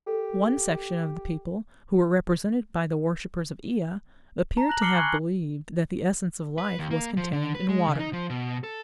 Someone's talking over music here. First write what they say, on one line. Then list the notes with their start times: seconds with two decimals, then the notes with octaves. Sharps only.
One section of the people, who were represented by the worshippers of Ea, appear to have believed that the essence of life was contained in water.
0.07 G4 A4 A#4
4.57 A5 A#5
4.69 F#6 A#6 F#7
4.82 D6 F6 C7 C#7 F#7 G7
4.95 G#5 B5 C#6 F#6 G#6
6.58 B4
6.79 D#2
6.91 A#3
7.17 F3
7.33 D3
7.55 B4
7.69 G#3
7.87 C#3
7.99 D#4
8.13 F3
8.30 B2
8.64 A4